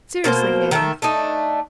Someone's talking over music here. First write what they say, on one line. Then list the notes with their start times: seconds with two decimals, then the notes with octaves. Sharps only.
Seriously, Hale!
0.24 B2 A#3 F#4 C5
0.71 D#3 A3 E5
1.02 A3 D4 D#4